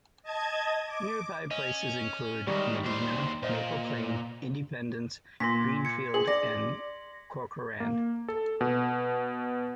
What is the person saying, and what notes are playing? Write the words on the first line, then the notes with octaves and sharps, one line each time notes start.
Nearby places include Medina, Maple Plain, Independence, Greenfield, and Corcoran.
D#5 A5 G#6
D6
C#4 D#5
G#2 D#3 G3 C#6
D#2 C5
A#2 C5 D#5
A#2 C6 A#6 B6
G#6 C#7
G#4 F#7
D5 A#6
A#3
A4
B2